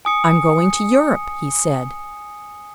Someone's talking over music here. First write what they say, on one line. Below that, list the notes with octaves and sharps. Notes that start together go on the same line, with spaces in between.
"I'm going to Europe," he said.
G#5 D#6 C#7